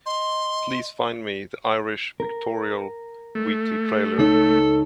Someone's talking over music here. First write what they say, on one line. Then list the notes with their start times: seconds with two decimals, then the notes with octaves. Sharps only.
Please find me the Irish Pictorial Weekly trailer.
0.06 D#5 C6
2.20 A#4
3.35 A3
4.19 C#2 D#4 A4 C#5